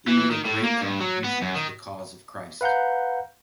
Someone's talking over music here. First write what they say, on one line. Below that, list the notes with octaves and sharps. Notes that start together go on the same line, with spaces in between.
He made a great contribution to the cause of Christ.
E3
D#3
A2
A#3
G2
F#3
B3
F#2
D#3
B4 F5 F#5 A#5 G6